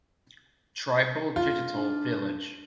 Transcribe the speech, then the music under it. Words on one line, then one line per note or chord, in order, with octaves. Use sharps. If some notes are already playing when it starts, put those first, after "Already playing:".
Tribal Digital Village.
F4
D4